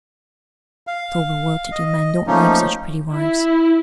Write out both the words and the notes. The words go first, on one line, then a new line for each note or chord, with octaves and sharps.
Sober well-to-do men don't like such pretty wives.
F5
D#5
F3 A3 A#3 C#4 D#4
E4